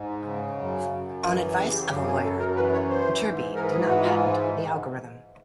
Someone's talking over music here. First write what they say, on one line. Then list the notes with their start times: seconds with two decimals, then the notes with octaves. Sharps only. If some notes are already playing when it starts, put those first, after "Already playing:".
On advice of a lawyer, Viterbi did not patent the algorithm.
Already playing: G#2
0.25 C#3
0.58 F#2
0.91 F#2
1.24 E3
1.56 C#3 G4
1.74 G4
1.89 F#2 G4
2.06 G#4
2.23 F#2 A4
2.39 A#4
2.55 E3 B4
2.73 C#5
2.89 E3 C5
3.22 G#2
3.55 E3 A#4
3.72 G#4
3.88 G#2 F#4
4.05 F4